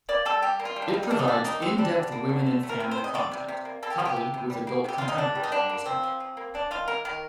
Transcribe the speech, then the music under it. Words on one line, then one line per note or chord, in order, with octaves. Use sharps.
It provides in-depth women and family content, coupled with adult contemporary music.
A#3 D5
G3 A4
G3 G4
A#3
F4
G3
D4
D#4
G3
D#4
C3 D4
D#4
G3 D4
A#3 D#4
C3 C4
G3 D4
D3
A#3
D3
A3
A3
A#4
C3
C5
C3
D#5
C3 D5
C3
C3
A#3
A#3 A4
G4
C3 F4
G4
C3
C3
G3
A#3
C3 G4
C3 F4
D#4
D3 D4
G3
D#4
D3 D4
A#3
F3 C4
F3
F3
A#3
A#3 D4
D#3 F4
A#3 A#4
D#3 A#4